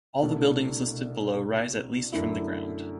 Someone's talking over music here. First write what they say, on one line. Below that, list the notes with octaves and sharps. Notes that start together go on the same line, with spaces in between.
All the buildings listed below rise at least from the ground.
C2 B2 A3 D4
F#2 D3 A3 E4